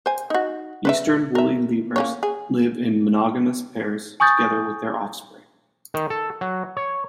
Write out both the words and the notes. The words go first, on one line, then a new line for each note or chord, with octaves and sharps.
Eastern woolly lemurs live in monogamous pairs together with their offspring.
C5 G#5
D#4 F#4
B4 C5 E5
A#4 E5
A#3 C#4 C#5
G#4
G#5 C#6 D#6 G6 A6
D#3
A4
F#3
C#5